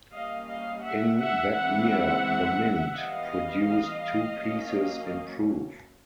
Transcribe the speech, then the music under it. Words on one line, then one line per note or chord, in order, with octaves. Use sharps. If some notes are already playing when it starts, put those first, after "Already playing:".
In that year, the mint produced two pieces in proof.
G3 A#3 C#4 D#5 F5
D#5 F5
E5 F#5
E5 F#5
E3 G#3 C4 E5 F#5
E3 G3 B3 D#5 F5
F#3 A#3 C#4